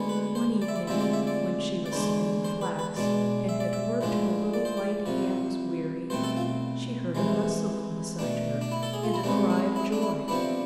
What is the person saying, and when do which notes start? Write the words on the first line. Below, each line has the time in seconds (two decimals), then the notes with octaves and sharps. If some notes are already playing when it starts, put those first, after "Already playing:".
One evening, when she was spinning flax, and had worked her little white hands weary, she heard a rustling beside her and a cry of joy.
Already playing: D2 D3 G#3 B3
0.09 B4
0.35 C5
0.62 D5
0.68 E5
0.76 D5
0.87 D2 C3 F3 G#3 D4 E5
1.00 D5
1.13 E5
1.27 D5
1.86 D5
1.92 E2 D3 G#3 D4 C5
2.44 C5
2.61 B4
2.79 B4
2.97 B2 G#3 D4 D5
3.49 E5
3.60 D5
3.73 E5
4.01 A2 F3 G#3 D4
4.54 D5
4.65 C5
4.77 D5
5.06 C2 C3 F3
6.10 C2 B2 A3 C4 C5
6.24 A4
6.36 F4
7.15 C2 C3 E3 G#3
8.19 B2 A3 D4
8.61 D4
8.71 E4
8.83 A4
8.93 G#4
9.03 F4
9.14 E4
9.23 C2 C3 G#3 B3 D4
9.50 E4
9.76 E4
9.92 D4
10.02 E4
10.28 C3 F3 B3 D4 E4